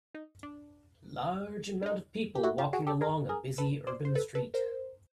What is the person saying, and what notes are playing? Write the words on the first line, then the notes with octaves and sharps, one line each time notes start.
Large amount of people walking along a busy urban street.
D#4
D4
D4
D#4
G4
E4 F#4
F4 G4
F#4 G#4
G4 A4
G#4 A#4
G#4 A#4
A4 B4
C5 D5
C5
A4 B4
A4 B4
A#4 C5